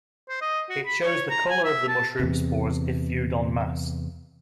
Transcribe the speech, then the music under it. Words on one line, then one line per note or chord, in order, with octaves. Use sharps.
It shows the color of the mushroom spores if viewed en masse.
C5
D#5
F#4
B5
C#5
A#5
G#5
E5
A5
E2 C3